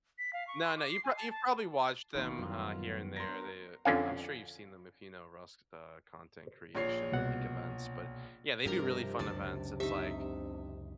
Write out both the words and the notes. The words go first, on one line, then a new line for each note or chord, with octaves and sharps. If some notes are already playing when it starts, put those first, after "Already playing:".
No, no, you've prob you've probably watched them, uh, here and there, they I'm sure you've seen them if you know Rust, uh, content creation and, like, events, but, yeah, they do really fun events, it's, like,
B6
F5
C#6
C6
D6
C7
G#5
A5
A5
A1 D#3 A#3 F4
F#2 E3 F#3 G3 B3
A#4 C6 A#6
B3 D4
F2 D3 C#4 F5
A#1 C#5 C7
C2 B2 F#5
G2 C3 F3 D4 G4 A#4 A#5
C#2 F#2 C#3 D5 A5
D#4 G4 E5